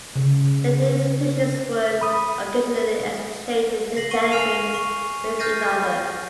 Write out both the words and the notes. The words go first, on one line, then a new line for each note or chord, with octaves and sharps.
The two institutions would occasionally exchange intelligence with each other.
C#3
B5 D#6
A#6 C7 F#7
C#6 D#7 G7
G#5 F6 C7 D#7 F7
C#6
F6 G6 A6 A#6 C7 D#7